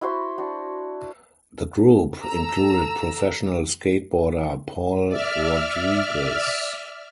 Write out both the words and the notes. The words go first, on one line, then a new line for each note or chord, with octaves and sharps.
The group included professional skateboarder Paul Rodriguez.
E4 F#4 C5 B5
D4 F#4
A4 A#5 E6
D5 E5 F6